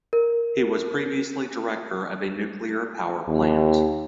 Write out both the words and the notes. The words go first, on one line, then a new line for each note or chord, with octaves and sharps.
He was previously director of a nuclear-power plant.
A#4
D#2